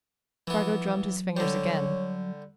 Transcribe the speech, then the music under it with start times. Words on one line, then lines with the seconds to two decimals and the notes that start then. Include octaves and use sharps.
Spargo drummed his fingers again.
0.47 E3 F3 B3
1.05 F#3
1.37 D3 G3 C#5